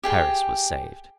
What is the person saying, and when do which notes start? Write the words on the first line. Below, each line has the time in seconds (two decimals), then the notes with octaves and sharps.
Paris was saved.
0.03 G4 G#4 G5